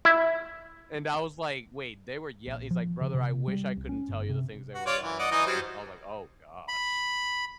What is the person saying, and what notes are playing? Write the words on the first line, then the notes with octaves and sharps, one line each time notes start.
And I was like, "Wait, they were yell" he's like, "Brother, I wish I couldn't tell you the things they were yelling at him." I was like, "Oh gosh."
E4
A#1
F3
C#3
C3
G3
C2
C#4
G1
C3
F#4
F4 C#5 D5
E3
D5 D#5 F#5
E3 D#4 D#5
F#3 G3 C5
B5